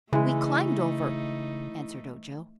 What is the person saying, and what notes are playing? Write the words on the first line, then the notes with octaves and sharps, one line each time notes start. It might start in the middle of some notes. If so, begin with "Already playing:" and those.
"We climbed over," answered Ojo.
C#3 E3 G#3 A3 D#4 E4